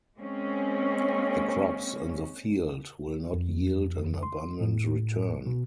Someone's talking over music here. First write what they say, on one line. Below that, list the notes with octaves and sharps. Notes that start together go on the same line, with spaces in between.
The crops in the field will not yield an abundant return.
G#3 A#3 C4 C#4
F2
C6
A2
B2